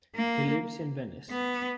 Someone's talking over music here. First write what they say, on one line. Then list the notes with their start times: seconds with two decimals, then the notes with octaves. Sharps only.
He lives in Venice.
0.15 A#3
1.30 B3